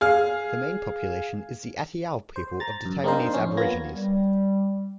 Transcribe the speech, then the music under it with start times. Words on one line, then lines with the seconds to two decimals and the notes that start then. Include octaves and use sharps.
The main population is the Atayal people of the Taiwanese aborigines.
0.01 G#4 F5 F6
2.36 C5
2.60 A#5 A6
2.85 F#2
3.04 A#3 C4 D4 D#4 A#4 C5
3.34 F2 C#4
3.57 A#3 B3 F4 G#6 A#6
3.94 G3